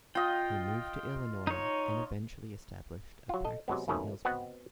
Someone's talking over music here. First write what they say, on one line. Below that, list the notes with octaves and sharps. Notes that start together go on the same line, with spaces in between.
He moved to Illinois and eventually established a practice in Hillsboro.
F4 D#5 G5
D#4 C#5
F#3 F4
A4 D#5
C3 F#3 G#3 B3
F2 G#2 B2 D#3 A3 C#4
B3 C4 F#4 D#5 F#5